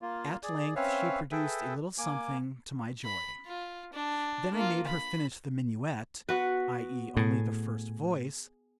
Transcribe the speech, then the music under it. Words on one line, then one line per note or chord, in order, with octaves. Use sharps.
At length she produced a little something to my joy. Then I made her finish the minuet, i.e. only the first voice.
A#3 F4
G#4 D5
C4 C#4 B4 C#5 E5 F5
G#4 A4 B4 E5 G5
A#3 G#5 D6
B5
F4
D4
A#3 F4
B5
B3 F#4 B4
A2 G#4